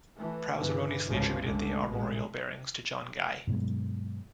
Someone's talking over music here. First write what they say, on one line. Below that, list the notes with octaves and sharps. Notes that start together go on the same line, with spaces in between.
Prowse erroneously attributed the armorial bearings to John Guy.
E3 A3
G2 B2 D3 E3
G#1 C#2 G2 C#3 F3
F1 C#2 D3 G#3 A3
A1 A#2 G#3
G2 B2 F#3 G#3